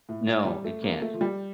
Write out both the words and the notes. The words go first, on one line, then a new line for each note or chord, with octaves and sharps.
No, it can't.
A2
A2
G3
A3
A#3
A3
F3
G3